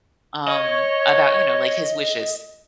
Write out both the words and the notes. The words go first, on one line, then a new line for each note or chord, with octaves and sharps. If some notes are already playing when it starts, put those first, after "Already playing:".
um, about, you know, like, his wishes
C#5 D#5